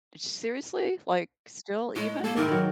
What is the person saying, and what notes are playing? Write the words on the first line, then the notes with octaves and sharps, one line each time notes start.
seriously? Like, still even?
A2 G#3
A#3 A4
G#2 D#3 E4 A#4
D#3 F#3